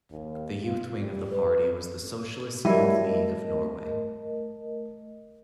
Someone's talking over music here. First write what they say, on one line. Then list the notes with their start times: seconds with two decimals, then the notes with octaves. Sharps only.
The youth wing of the party was the Socialist Youth League of Norway.
0.11 D#2
0.64 F4
0.97 G3
1.31 B4
2.65 F#3 G3 A3 E4 A#4 D#5